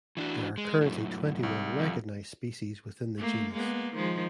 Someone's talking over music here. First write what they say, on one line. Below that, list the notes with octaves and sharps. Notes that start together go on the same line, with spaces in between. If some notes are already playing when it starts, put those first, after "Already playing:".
There are currently twenty-one recognised species within the genus.
E3 D4 F#4
G#3
F#2 A2
C2
F2
A3 A#3
G#3 A#3 B3
D#3 F3 G#3